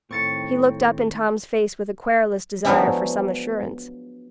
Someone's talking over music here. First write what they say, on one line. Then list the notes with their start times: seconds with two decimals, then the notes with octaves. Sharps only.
He looked up in Tom's face with a querulous desire for some assurance.
0.11 A2 D#3 C4 C#6 A6 C#7
2.65 F3 F#3 G#3 B3 D4 E4